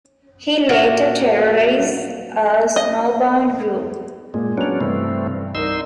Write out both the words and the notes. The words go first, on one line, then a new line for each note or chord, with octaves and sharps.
He later terrorizes a snowbound group.
A#2 A#3 F#4 F#5
D#5
A#2 G#3
F#3 B3 C#4 D4 F7
G2 C3 E3 A3 C4
C2 D#4 A#4 D5 C6 E6